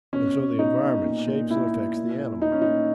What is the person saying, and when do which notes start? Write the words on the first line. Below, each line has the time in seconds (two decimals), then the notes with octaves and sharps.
And so the environment shapes and affects the animal.
0.13 B2 C#4
0.36 B2
0.58 B2 D#4
0.81 B2
1.04 A#2
1.27 A#2
1.50 A#2 E4
1.73 A#2
1.96 A#2
2.19 A#2
2.42 A#2 D#4
2.52 C#4
2.62 A#2 D#4